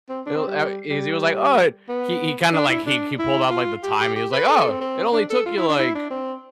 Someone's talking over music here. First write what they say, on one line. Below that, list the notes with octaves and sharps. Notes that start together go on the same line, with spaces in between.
He'll eh, e he was, like, "Oh, eh" he he kinda, like, he he pulled out, like, the time, he was like, "Oh, it only took you, like,
C4
D4
C4
G3
G3
B3
D4
E4
D4
E4
F4
G4
G4
G4
B4
A4
A4
C4
C4
D4
A4
F4
E4
D4
E4
D4
C4